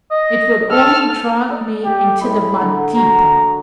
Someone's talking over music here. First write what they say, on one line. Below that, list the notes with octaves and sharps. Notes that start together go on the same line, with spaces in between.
It would only drag me into the mud deeper.
D#5
A4 A5 F6
A4 D5 D#5
G4
A2 G#3 G#4 B5
D3 A#4 F#5
F#4 A#5